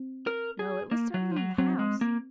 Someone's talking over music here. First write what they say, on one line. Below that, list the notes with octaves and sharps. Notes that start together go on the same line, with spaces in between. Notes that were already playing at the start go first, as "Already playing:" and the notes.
No, it was certainly in the house.
Already playing: C4
A#4
G#4
A#3
F#3
F3
F#3
F#3 C4
G#3
A#3